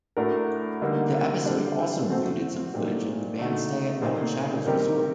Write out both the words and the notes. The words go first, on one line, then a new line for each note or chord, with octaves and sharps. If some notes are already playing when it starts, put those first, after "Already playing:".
The episode also included some footage of the band's stay at Mountain Shadows Resort.
A2 A3 D4 F#4 A#4
D3 G3 A#3 D#4
D3 G3 D4 A4 C5
A3 C4 F#4 A4 C5
A#2 A3 D#4 G4 C5
D3 A3 D#4 F#4
A#2 A3 D#4 G4 C5
D#3 G3 C4 G4 A#4